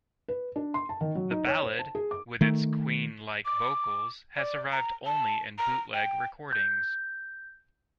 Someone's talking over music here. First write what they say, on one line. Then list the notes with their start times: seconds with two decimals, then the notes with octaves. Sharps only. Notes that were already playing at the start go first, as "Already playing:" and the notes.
The ballad, with its Queen-like vocals, has survived only in bootleg recordings.
0.28 B4
0.56 D4
0.74 C6
0.89 A5
1.01 D#3
1.15 F#3
1.31 D#4
1.47 C#5
1.63 C5
1.79 A5
1.95 G#4
2.11 D6
2.41 D#3 A3
3.45 D6
4.36 D5
4.72 A#5
5.06 A5
5.58 A#5
5.94 G5
6.53 G6